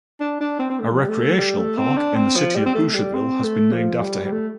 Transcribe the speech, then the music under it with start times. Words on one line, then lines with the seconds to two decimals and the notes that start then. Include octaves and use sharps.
A recreational park in the city of Boucherville has been named after him.
0.20 D4
0.40 D4
0.59 C4
0.70 C4
0.79 A3
0.92 F3
1.00 G3
1.09 A3
1.38 G3
1.58 A3
1.77 C4
1.97 D4
2.16 C4
2.36 F3
2.56 G3
2.66 C4
2.75 A3
2.94 G3
3.14 C4
3.44 A3
3.73 F3
4.03 G3
4.25 G3
4.32 A3